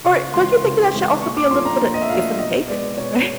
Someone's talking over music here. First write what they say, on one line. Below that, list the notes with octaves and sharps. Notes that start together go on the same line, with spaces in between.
Or don't you think that that should also be a little bit of give and take? Right?
C#3 C#6
E3 G#3 C4 E4 C6
C#3
E3 G#3 C4 E4
A#2 C#6
D6
F3 A3 D4 F4 C6
A#5
A#2
D#5
E5
F3 A3 D4 F4 F5
B2 D#5
G#3 B3 D5
B2 C#5